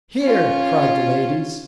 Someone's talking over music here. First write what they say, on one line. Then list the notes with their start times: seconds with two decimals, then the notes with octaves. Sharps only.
"Hear!" cried the ladies.
0.21 C#4 F4